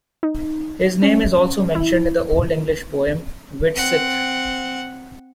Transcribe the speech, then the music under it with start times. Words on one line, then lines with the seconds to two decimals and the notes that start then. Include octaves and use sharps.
His name is also mentioned in the Old English poem "Widsith".
0.23 D#4
1.02 C#4
1.75 E4
3.74 C4 F#5